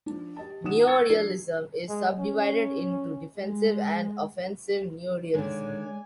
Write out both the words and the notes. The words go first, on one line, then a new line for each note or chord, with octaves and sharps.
Neorealism is subdivided into defensive and offensive neorealism.
F3 D4
G4 D#5 A5
B1 D#3 D4 F#5 D#6 E7
E4 A#5
C#6 E6 F#6 G#6 A6 C#7
F3 D4 A#4 D5 C7
G#3
C#4
G#3
D3 D#3 G#3 C#5 D5 G#5